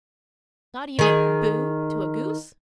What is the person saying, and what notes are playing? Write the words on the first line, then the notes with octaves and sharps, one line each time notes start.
"Not even boo' to a goose?"
D#3 G#4